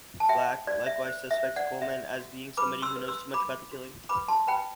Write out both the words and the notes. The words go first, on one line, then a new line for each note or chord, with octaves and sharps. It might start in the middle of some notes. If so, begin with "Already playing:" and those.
Flack likewise suspects Coleman as being somebody who knows too much about the killing.
A5
F#4 E5 G5
F#4 D5
E5
C5
E5
C5
D5 F#5
F#4 E5
F#4
B4 B5 D6
C6 E6
B4
C6 E6
F#4 B5 D6
F#4
B4 B5 D6
A5 C6
B4 G5 B5